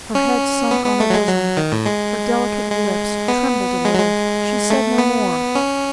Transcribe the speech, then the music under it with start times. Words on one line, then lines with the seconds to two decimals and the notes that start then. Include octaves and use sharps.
Her head sunk on her bosom; her delicate lips trembled a little; she said no more.
0.15 C#4
0.71 B3
0.86 B3
1.00 A3
1.10 F#3
1.14 G#3
1.29 F#3
1.57 D#3
1.72 A2
1.86 G#3
2.71 G#3
3.28 B3
3.85 G#3
3.95 F#3
3.99 G#3
4.70 A3
4.98 B3
5.55 C#4